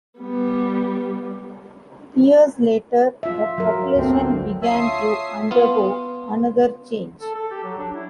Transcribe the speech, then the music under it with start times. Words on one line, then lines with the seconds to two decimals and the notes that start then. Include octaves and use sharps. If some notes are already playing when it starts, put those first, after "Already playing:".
Years later the population began to undergo another change.
0.18 G3 B3
3.23 F4 E5
3.58 F#3 A#4
3.93 G1 D2 C4
4.62 F4 C#5 E5 A5 D#6 C7
5.51 B3 F4
7.21 A4
7.35 A4
7.51 G4
7.64 F#3
7.79 D4
7.95 E4